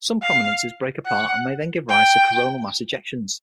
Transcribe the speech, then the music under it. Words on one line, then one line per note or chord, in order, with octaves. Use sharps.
Some prominences break apart and may then give rise to coronal mass ejections.
F5
F#5
G5